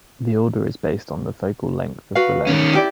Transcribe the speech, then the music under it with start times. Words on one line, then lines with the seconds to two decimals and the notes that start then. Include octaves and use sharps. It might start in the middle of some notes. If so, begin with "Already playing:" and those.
The order is based on the focal length of the lens.
2.15 F#4 B4 F5
2.47 D#3 C#4
2.73 E4 G4 D5